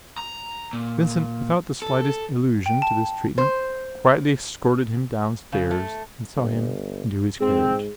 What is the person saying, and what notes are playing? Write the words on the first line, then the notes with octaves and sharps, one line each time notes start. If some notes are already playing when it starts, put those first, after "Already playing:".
Vincent, without the slightest allusion to this treatment, quietly escorted him downstairs and saw him into his carriage.
A#5
A#2
A4
G5
A5
C5
C#3
A3
G1
G#2 C4 G#4